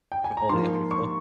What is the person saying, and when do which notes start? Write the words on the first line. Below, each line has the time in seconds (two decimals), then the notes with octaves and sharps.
For holding up your phone.
0.12 G5
0.24 G#5
0.37 A#5
0.49 G#2 F3 A#3 F4 C6
0.91 C#6